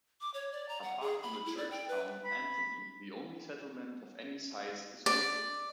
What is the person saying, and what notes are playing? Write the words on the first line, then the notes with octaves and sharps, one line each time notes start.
Apart from the church town, Antony, the only settlement of any size is Wilcove.
D6
C#5
D5
A#5
F#5
G#4
B5
E4
D5
G5
B4
B5
D5